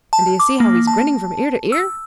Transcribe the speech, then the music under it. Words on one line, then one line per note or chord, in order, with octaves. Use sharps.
And do you see how he's grinning from ear to ear?
A5
D6
A#3
A5
E6